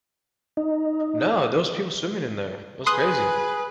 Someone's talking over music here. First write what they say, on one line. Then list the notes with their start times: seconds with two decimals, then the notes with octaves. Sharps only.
No, those people swimming in there. It was crazy.
0.57 D#4
2.86 G#4 B4 C6 D#6 F#6